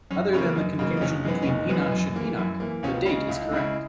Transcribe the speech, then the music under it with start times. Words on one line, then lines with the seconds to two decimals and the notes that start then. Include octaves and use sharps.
Other than the confusion between Enosh and Enoch, the date is correct.
0.11 F#2 C#4
0.21 D#4
0.33 C#3 F#3 A#3 C#4
0.45 B3
0.56 F#2 D#4
0.79 C#3 F#3 A#3 D#4
0.91 B3
0.97 D#4
1.01 F#1 C#4
1.24 F#2 E3 G#3 B3 D#4
1.42 C#4
1.47 F#1 D#4
1.69 F#2 E3 G#3 B3
1.92 F#2
2.15 E3 A#3
2.37 F#2 E4
2.60 E3 A#3
2.83 C#2 C#4
2.94 B3
3.05 C#3 G#3 C#4
3.28 C#2 E4
3.42 D#4
3.51 C#3 G#3 E4